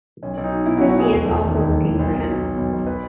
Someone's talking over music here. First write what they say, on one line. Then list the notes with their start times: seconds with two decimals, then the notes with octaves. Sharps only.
Sissy is also looking for him.
0.23 B1 C#4
0.37 B1
0.44 D#4
0.51 F#3
0.66 B2 E4
0.78 F#4
0.81 B1
0.89 F#4
0.95 B1 G#4
1.10 E1
1.25 E1
1.39 D#3
1.55 D#2
1.69 E1
1.83 E1
1.99 B1
2.13 B1
2.28 F#3
2.43 B2
2.58 B1
2.72 B1
2.87 B4